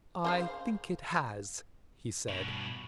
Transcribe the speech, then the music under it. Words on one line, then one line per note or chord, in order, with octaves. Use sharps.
"I think it has," he said.
C#3 C5 F5
G2 B2